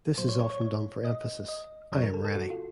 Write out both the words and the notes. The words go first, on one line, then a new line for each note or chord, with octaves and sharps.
This is often done for emphasis: I am ready!
A#2 F#3 C5
C#5
C#5
C#5
C#5
D#5
D#5
F2 C#3 F#3 C#5
A#4
A4
A4
F#4
F4